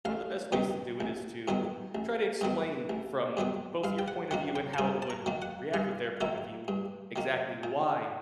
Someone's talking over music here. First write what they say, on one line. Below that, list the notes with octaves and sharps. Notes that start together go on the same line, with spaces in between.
one of the best ways to do it is to try to explain from both your point of view, and how it would react with their point of view exactly why
A1 F5
G2 D#3 F#3 B3
A1
G2 D#3 F#3 B3
A1
G2 D#3 F#3 B3
A1
G2 D#3 F#3 B3
G2 F5
G5
F#5
D#3 F#3 A#3 F#5
G5
A5
G2 G#5
A5
A#5
D#3 F#3 A#3
F#5
G2 F5
D#3 F#3 A#3 E5
G2
D#3 F#3 A#3
A#2